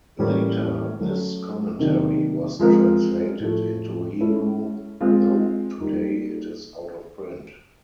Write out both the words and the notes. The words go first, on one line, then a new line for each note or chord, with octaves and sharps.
Later this commentary was translated into Hebrew, though today it is out of print.
A2 E3 G3 A#3 C#4
F#3 A3 C#4
C3 D#3 F#3 A#3 D4
F3 G#3 C4 F4 A#4
A2 F3 A3
G#3 C#4 E4 A4
G#3 C4 F4
G3 A#3 D#4